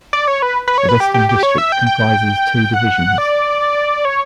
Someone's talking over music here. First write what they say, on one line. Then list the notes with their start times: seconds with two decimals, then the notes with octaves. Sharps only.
The Western District comprises two divisions.
0.13 D5
0.28 C#5
0.42 B4
0.68 B4
0.78 C#5
0.89 B4
1.00 G4
1.14 G4
1.29 G4
1.43 C#5
1.58 E5
1.72 G5
1.86 G5
2.74 F#5
3.18 D5
4.05 C#5